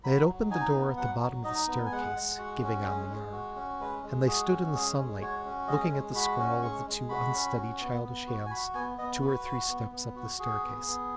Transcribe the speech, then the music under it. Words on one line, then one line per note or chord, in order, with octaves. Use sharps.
They had opened the door at the bottom of the staircase giving on the yard, and they stood in the sunlight, looking at the scrawl of the two unsteady childish hands two or three steps up the staircase.
F#3 B5
F#3
D#4 G#5
B3
F#3 F#5
F#3
D#4 D#5
B3
G#5
G#3 F#5
G#3
F#4
C#4
G#3
G#3
F#4
C#4
G#3 B4
G#3
F#4 G#4
C#4
G#3 G#4
G#3
F#4 C#5
C#4
G#3 D#5
G#3
F#4 B5
C#4
G#3 C#6
G#3
F#4 B5
C#4
F#4
B3
B3
F#4
G#5
F#4 B5
B3 G#5
B3 D#5
F#4 B4
F#4
B3
B3
F#4
F#4 G#4
B3
B3